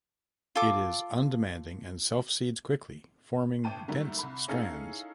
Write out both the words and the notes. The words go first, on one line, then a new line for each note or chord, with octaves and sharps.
It is undemanding and self seeds quickly, forming dense stands.
F4 A4 D6
G1 G5 A5 D#7
D3 D#3 F#3 G3 A3 A#3
C2 B5
C#4 D#4 E4 G#4 A4 F5